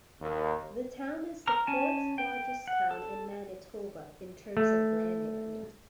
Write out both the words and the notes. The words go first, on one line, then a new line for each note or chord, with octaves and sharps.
The town is the fourth-largest town in Manitoba in terms of land area.
D#2
A#5 F6
C#4 G#5 A5
G5
F#5
A4
A3